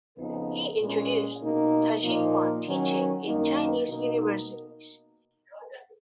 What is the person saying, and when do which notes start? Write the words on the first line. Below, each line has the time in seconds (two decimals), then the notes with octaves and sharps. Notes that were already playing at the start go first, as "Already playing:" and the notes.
He introduced Taijiquan teaching in Chinese universities.
0.17 F2 C#3 F3 B3 D#4
0.78 A#2 G#3 C#4
1.41 B2 A#3 D#4
2.02 A#2 F3 A#3 D#4
2.64 D#3 F#3 C#4
3.25 F#2 D#3 A#3 D#4
3.87 B2 A#3 D#4